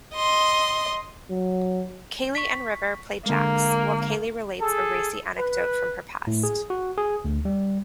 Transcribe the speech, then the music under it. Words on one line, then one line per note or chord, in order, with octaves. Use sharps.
Kaylee and River play jacks while Kaylee relates a racy anecdote from her past.
D#5 C6
F#3
C#6 B6
D3 G#3 A#3
G#4 A4
B4
A2
G#4
F#4
G#4
D2
G3